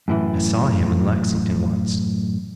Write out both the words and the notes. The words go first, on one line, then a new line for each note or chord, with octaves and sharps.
I saw him in Lexington once.
F#2 A2 E3